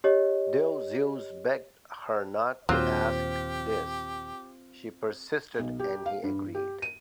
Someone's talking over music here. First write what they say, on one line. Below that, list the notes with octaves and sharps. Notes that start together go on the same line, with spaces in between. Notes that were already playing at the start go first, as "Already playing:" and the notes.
Though Zeus begged her not to ask this, she persisted and he agreed.
G4 C#5 D#5
D#2 A#2 F#3 C4 F4 G4 C5
B1
G4
F5
G2
G4
D#7